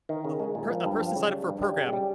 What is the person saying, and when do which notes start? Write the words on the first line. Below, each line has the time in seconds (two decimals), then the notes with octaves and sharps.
a per a person signed up for a program
0.09 D#3
0.25 C#3
0.40 G#3
0.55 A#2
0.70 F3
0.85 G2
1.00 F3
1.16 C#3
1.31 G3
1.47 G2
1.62 G3
1.77 C#3
1.93 G3